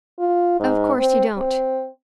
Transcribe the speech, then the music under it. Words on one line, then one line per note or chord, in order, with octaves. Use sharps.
Of course you don't.
F4
G#2
C4
C4